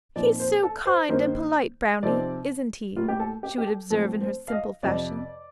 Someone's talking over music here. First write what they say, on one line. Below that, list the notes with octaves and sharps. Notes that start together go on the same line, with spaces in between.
'He's so kind and polite, Brownie, isn't he?' she would observe in her simple fashion.
A#2 F3 C4 D#4 D5
C5
A4
C5
G2 D#3 A#3 D#4 C5
C3 F3 C4 D#4 D5
A2 G3 A#3 F4
G4
A4
G4
G4
A4
A2 F3 C4 A4
C5
F5
D#5
F2 C3 F3 D5